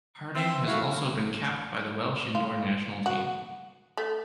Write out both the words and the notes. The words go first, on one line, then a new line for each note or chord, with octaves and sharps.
Harding has also been capped by the Welsh indoor national team.
C4 E5
A3 E4 F#4 F5
F4
F#4
A3